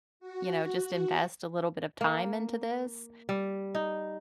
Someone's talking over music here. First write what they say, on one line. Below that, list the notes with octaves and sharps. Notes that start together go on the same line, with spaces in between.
you know, just invest a little bit of time into this?"
F#4
A#3
G3
D#4